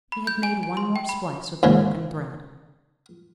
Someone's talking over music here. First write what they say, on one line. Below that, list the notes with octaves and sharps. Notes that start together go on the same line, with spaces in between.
He had made one more splice of the broken thread.
B5
G6
G#5
G#5
C6
G5
B5
D#2 G#2 C#3